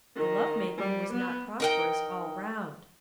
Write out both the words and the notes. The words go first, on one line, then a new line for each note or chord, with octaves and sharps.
The love-making was not prosperous all round.
D#3
G3
B3
D#4 A#4 G5